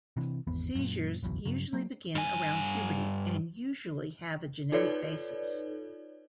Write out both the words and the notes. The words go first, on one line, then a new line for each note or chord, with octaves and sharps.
Seizures usually begin around puberty and usually have a genetic basis.
C3 E3
G#1 E2 B3
F#2 A#2
F#1 B1 E2 B2
G2 C#3 F#3
F#3 A#3
G2 G#5
D#4 F4 A4 B4 C#5 D5